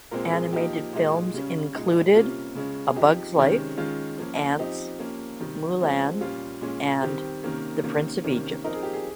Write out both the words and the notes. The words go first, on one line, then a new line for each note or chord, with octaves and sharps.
Animated films included "A Bug's Life", "Antz", "Mulan" and "The Prince of Egypt".
A#2 G#3 C4 A#4
G#4
F3 A#3 D#4 G4
A#2 G#3 D#4
C#3 G3 C#4
A#2 G#3 D#4
C3 G3 A#3 C#4 F4
C#3 G#3 C#4
G#4
F3 C4 D#4 G4
C3 D#3 G#3 C#4
D#3 G#3 C#4 F4
F3 A#3 C#4
F3 C4 D#4 G4
F3 A#3 C#4
C3 D#3 G3
F3 G#3 C4
A#2 G3 C#4 F4
A#2 G#3 C#4
D#3 G3 C4 G4
C3 D#3 A#3 C#4
C3 D#3 A#3 C#4
C3 D#3 A#3 C#4
F3 C4 D#4 A#4
G#4
G4
G#4